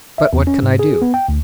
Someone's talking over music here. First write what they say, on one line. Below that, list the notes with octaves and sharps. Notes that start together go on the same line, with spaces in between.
But what can I do?
E5
E2
C#4
G#2
G#4
B3
G5
D2